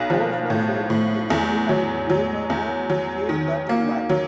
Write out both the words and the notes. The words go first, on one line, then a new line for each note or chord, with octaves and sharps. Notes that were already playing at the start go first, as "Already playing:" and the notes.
Holzman famously explained, "I gave her the 'K' that I lacked".
Already playing: B1
F3
A2
A2
E2
F#3
F#3
E2
F#3
D#3
A#3
F#3